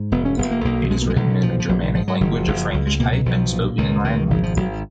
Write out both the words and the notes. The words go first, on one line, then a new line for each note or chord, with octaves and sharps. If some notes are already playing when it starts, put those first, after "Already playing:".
It is written in a Germanic language of Frankish type and spoken in Rhineland.
Already playing: G#2
F1 B3
C#4
F1 B3
A#3
B1 A#3
B2 G#3
A#3
G#3
B1 F#3
A#2 F3
F3
A#1 F#3
D#3
G#2 F3
F#3
F#1 D#3
F3
F#1
F3
C#2 F#3
G#3
B2 A#3
F#3
B1 F3
A#2
C#2 D#3
B2 D#3
G#1 D#3
F3
G#1 F#3